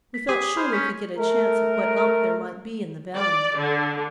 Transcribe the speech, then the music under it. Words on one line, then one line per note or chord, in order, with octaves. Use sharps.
We felt sure we could get a chance at what elk there might be in the valley.
B6
G4 G#4 D6 D#6 B6
C5 B5 F6
C#4 G6 G#6 B6
A3 A#4
D5
D3